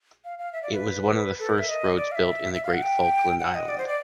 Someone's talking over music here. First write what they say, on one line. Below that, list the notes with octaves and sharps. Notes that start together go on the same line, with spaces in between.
It was one of the first roads built in the Great Falkland island.
F5
F5
E5
D5
B4
A4
A#4
E5
D#5
D5
F5
E5
E5
F5
F#5
G5
F#5
D#5
D5
C5
D5